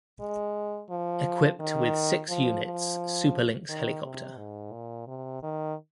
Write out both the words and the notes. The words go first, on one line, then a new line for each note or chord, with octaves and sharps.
Equipped with six units Super Lynx helicopter.
G#3
F3
D#3
F3
F3
D#3
C3
G#2
A#2
C3
D#3